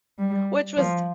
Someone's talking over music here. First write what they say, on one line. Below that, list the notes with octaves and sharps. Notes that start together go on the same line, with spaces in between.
which was
G3
F3